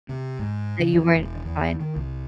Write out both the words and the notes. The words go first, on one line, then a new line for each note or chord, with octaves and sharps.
that you weren't fine.
C3
G#2
C#3
F2
E1
E2
D#3
C2